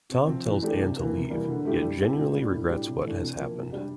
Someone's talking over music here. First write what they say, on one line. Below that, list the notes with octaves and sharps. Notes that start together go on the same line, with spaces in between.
Tom tells Anne to leave, yet genuinely regrets what has happened.
C3
F3 C4
E3
A3 D4 G4
C3
E3 A#3
C3
E3 G3 A#3
D3
A3 E4 G4
G3
C4 E4 G4
A#2
G3 D4
A2
G3 D4 G4
C3
E3 A3 D4
C3
F3 A#3
C3
G3 D4 G4